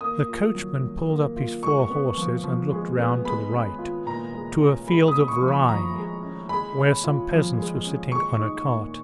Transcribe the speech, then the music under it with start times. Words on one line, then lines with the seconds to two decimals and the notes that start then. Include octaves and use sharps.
The coachman pulled up his four horses and looked round to the right, to a field of rye, where some peasants were sitting on a cart.
0.01 A#3 D#6
0.28 F4
0.55 F#3
0.82 F#3
1.09 A#3
1.36 F4
1.63 G#3 C#6
1.90 B3
2.17 F3
2.44 F3
2.71 G#3
2.98 B3
3.25 G#3 B5
3.52 C#4
3.79 F4
4.06 A#2 A#5
4.34 G#3
4.60 C#4
4.87 G#3 B5
5.08 D#6
5.15 C#4
5.28 C#6
5.41 F3
5.48 B5
5.68 F3 A#5
5.95 G#3
6.23 C#4
6.49 G#3 B5
6.77 C#4
7.04 F4
7.31 F3
7.58 G#3
7.84 C#4
8.12 G#3 C#6
8.39 D#4
8.66 A#2